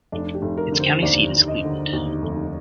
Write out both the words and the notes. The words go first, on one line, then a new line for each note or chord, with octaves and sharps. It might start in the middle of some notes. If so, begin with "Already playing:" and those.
Its county seat is Cleveland.
F1 D4
G4
F1
A#4
D3
C5
D#2 D5
D#2
D#5
D3
D#2
F1